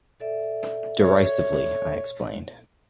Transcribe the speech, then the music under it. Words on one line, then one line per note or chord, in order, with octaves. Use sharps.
"Derisively," I explained.
A4 D5 E5
C#5